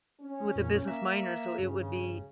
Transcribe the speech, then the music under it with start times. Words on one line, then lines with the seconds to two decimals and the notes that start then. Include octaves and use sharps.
with a business minor, so it would be
0.20 C#4
0.56 F2 A#2
0.88 A#3 E5
1.59 G2 C#3